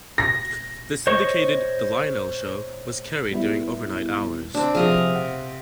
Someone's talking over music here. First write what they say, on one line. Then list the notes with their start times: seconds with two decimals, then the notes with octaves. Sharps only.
The syndicated The Lionel Show was carried during overnight hours.
0.18 A#6
1.07 C5 C#5 D#5 C#6
3.31 G3 B3 E4
4.55 C4 D4
4.75 C3 F3 G#4 D#5 F5
5.15 F#5